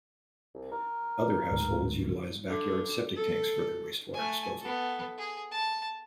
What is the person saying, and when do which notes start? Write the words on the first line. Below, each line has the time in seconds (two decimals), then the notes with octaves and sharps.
Other households utilize backyard septic tanks for their wastewater disposal.
0.54 C2
0.72 A#4
1.51 D1 D2 G#2
2.48 D3
3.16 A4
4.14 A3 G#5
4.61 B3 A4
5.18 G#4
5.51 A5